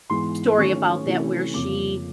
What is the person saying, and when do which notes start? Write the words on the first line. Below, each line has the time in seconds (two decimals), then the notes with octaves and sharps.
story about that where she
0.10 G#2 E3 G#3 B3 C6
0.58 D#3 F#3 A3 C#4 E4 C#6
1.06 C3 E3 A3 C#4 E4
1.54 F2 C#3 F3 A#3 D6